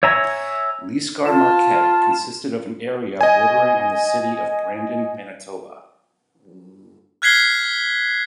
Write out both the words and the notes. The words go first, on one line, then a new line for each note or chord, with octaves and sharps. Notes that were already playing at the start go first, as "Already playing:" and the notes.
Lisgar-Marquette consisted of an area bordering on the City of Brandon, Manitoba.
C#5 E5 G#5 A#5
F4 A5
D#5 G#5
F6 F#6 G#6 B6 C7 G7